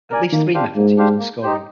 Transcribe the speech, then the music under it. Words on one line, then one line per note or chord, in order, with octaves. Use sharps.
At least three methods are used in scoring.
A#4 D5 G#5
D#3 A#3
D4 G4 C5 F5
G#2 A#3
D4 G4 C5 F5
A#3
D#4 G4 C5